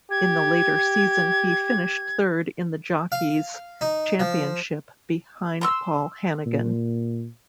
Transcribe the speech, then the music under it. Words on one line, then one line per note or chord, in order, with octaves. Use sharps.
In the latter season he finished third in the Jockeys' championship behind Paul Hanagan.
G4 G#6
F5
D#4
F3
C6 C#6 E6
A#2